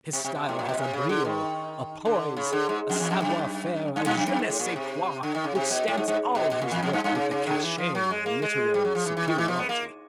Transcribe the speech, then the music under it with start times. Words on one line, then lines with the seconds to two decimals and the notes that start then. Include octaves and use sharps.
His style has a brio, a poise, a savoir faire, a je ne sais quoi, which stamps all his work with the cachet of literary superiority.
0.13 C3
0.24 C3
0.35 C3
0.49 A2
0.59 A#2
0.69 B2
0.77 C3
0.93 C#3
1.09 D3
1.25 D#3
2.05 D3
2.37 C#3
2.52 D3
2.69 G#2
2.90 F2
3.00 E2
3.11 F2
3.22 F#2
3.96 G2
4.06 G2
4.17 F#2
4.28 F#2
4.39 G#2
4.50 A2
4.59 A#2
4.76 C3
5.23 D3
5.35 D#3
5.44 C#3
5.55 C3
5.71 B2
5.88 A2
5.97 G#2
6.08 G#2
6.35 B2
6.51 B2
6.61 A#2
6.71 E2
6.83 F2
6.93 G2
7.04 G2
7.15 C#3
7.31 C#3
7.47 D3
7.62 E3
7.78 F3
7.95 F#3
8.11 G#3
8.26 A#3
8.42 G#3
8.74 G3
8.85 F#3
8.95 F3
9.06 E3
9.17 E3
9.28 D#3
9.38 E3
9.48 F3
9.59 B3
9.69 A#3